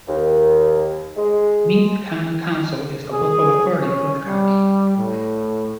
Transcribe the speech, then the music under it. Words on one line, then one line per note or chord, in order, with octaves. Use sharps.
Meath County Council is the local authority for the county.
D#2
G#3
G#4
C#4
G3
A2